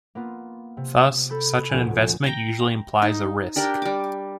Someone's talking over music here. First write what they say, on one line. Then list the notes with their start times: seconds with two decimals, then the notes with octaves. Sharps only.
Thus, such an investment usually implies a risk.
0.15 A#3 B3 F4
0.77 C3
1.30 A4 B5 G6
1.69 F1 D2 A#2 G#5 D7
2.24 G5 A#5
3.02 D#4
3.56 D4 G4 A#4 D5
3.82 G3 D6